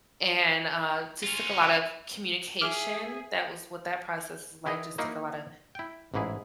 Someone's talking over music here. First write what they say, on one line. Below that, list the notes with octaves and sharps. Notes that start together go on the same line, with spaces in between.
and uh, just took a lot of communication that was what that process was like, just took a lotta,
C#4 F4
G#4 E5 D6 F6
E3 E4 G#4 D#5
A#3 D#4 E4 F#4
E4 G5
A1 G#2 E3 E4 G#4